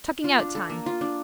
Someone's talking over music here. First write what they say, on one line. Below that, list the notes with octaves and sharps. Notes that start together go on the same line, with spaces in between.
Chuckingout time.
F4
D4
A4
A#3
F4
D4